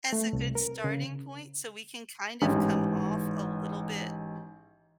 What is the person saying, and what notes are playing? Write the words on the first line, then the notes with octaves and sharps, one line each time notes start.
as a good starting point, so we can kind of come off a little bit
A3
C2
A#4
C#3
A1 G#2